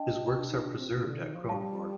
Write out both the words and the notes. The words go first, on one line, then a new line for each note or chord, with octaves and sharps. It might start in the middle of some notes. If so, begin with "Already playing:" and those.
His works are preserved at Kronborg.
Already playing: D4 D#5 G5 A5
D4
D#4
D4
C4
A#3
D3
D#3
F3
G3 F5 A5